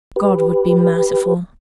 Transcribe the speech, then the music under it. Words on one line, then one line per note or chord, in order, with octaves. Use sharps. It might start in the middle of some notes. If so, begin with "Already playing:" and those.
God would be merciful.
G4 B4